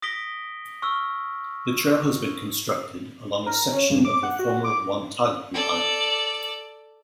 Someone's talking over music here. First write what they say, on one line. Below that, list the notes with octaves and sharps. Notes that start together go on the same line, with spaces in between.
The trail has been constructed along a section of the former Wonthaggi line.
D#6 A#6 B6 D7 G7
C#6 E6 F6
A#4
C#4
G2
D6
F#5
F#4
D6
A4 D5